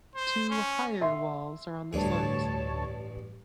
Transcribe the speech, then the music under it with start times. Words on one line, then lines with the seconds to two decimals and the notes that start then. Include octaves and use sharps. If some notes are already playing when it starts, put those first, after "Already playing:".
Two "higher" walls are on the slopes.
0.15 C5
0.50 C#4
1.01 E5 C6
1.93 A1 D2 G2 G#4 C#5 A5